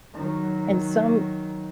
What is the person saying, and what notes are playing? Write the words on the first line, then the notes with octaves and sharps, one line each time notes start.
And some
D#3 F#3